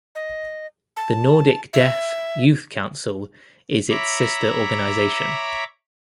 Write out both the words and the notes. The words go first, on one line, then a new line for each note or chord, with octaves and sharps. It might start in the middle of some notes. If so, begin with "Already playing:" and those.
The Nordic Deaf Youth Council is its sister organization.
D#5
A5
E5
C#5 E5 A#5 B5 D6